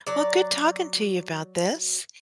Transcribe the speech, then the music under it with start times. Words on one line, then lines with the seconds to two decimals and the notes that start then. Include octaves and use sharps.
Well, good talking to you about this.
0.07 F#3 D5